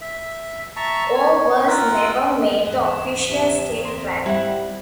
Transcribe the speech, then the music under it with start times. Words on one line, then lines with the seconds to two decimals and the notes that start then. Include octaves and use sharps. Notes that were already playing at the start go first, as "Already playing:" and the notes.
Or was never made the official state flag.
0.01 E5
0.77 E5 A5 A#5 C#6
1.15 C#5
1.67 F4 A#4 F#5 E6
2.65 D#2 G#2 E3 F#5
3.28 C3
3.85 C4 A#4 C6
4.26 G3 E4 F#5